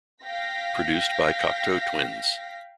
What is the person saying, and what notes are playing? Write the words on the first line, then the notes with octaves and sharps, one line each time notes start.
Produced by Cocteau Twins.
F5 G5 A#6 B6